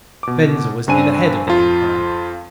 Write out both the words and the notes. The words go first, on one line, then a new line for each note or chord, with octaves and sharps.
Venza was near the head of the incline.
B2 D6
G2 C4 D4 G#5 D#7
F2 F4